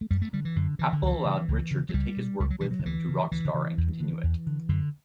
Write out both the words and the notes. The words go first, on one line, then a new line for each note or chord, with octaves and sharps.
Apple allowed Richard to take his work with him to Rockstar and continue it.
A3
F#2 G3
A3
D3 G3
E3
F#2 D3
D3 E3
D3
C#2 E3
C#3
C#2
C#3
F#3
C#2 G3
B2
C#2 G3
F#3
B2 E3
F#3
D3
D2 E3
C#3
D2 E3
D3
C#3 E3
E2
D3
E2
D3
F#2 D3